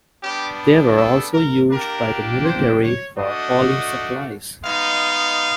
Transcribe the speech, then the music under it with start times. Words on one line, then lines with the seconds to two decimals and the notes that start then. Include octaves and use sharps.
They were also used by the military for hauling supplies.
0.23 G3 B3 D4 G4
0.97 A4
1.34 A#4
1.71 A#3 D4 G4 A#4
2.44 C5
2.80 C#5
3.16 A3 D4 F#4 D#5
4.64 G#3 B3 D#4 F5